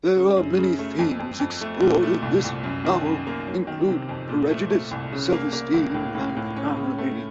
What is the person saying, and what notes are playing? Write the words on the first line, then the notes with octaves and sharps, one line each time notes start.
The many themes explored in this novel include prejudice, self-esteem and family.
C#3
F#2
C#3
A3
F2
F2
F2
A3
A#2
A3
C2
C2
F#2
D#3
F#2
A#3
F#3
D#3
C3
F2
A#2
A3
A3
C2
C#3
A#3
A#3
C#2
A2
A2
A2
C#4
C#3
A3